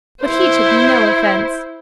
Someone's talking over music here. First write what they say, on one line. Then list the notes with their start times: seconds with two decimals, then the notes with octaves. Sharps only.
But he took no offence.
0.23 E4 C5